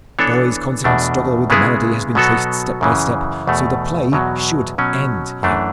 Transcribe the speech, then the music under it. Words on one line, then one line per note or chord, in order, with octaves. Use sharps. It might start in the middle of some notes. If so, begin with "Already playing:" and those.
The boy's consequent struggle with the malady has been traced step by step, so the play should end here.
E3 B3 D4 A4 C#5
E2 B2 A3 D4
C#3 G#3 B3 E4 G#4
B2 F#3 B3 F#4 A4
F#2 C#3 E3
E2 B2 A3
E2 B2 F#3
B2 F#3 C#4
F#2 E3 A3 D4